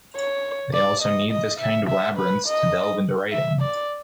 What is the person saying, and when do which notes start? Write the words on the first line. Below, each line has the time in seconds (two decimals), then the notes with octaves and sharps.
They also need this kind of labyrinths to delve into writing.
0.16 C#5
0.74 D5
1.02 D#5
1.31 D#5
1.60 E5
1.89 E5
2.17 B4
2.47 D#5
3.32 E5
3.61 D5